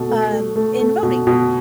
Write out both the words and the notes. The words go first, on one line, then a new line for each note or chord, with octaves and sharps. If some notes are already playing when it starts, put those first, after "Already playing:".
um, in voting.
Already playing: B2 A4
A3
A3
A3
A3
B2
B2